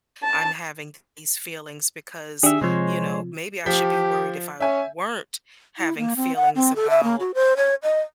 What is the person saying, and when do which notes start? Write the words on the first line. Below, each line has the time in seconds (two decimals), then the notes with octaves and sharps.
I'm having th these feelings because, you know, maybe I should be worried if I weren't having feelings about,
0.23 A5
2.43 D#3 D4 G4 G#4 E5
2.61 C3 F3 G#3 C5 C#5
3.66 F3 G4 G6 B6
4.60 C#4 E5 G#5
5.79 E4
5.98 A#3
6.16 C4
6.36 F#5
6.55 C4
6.76 A4
6.90 E5
7.03 A#3
7.20 F#4
7.34 C5
7.57 C#5
7.83 D#5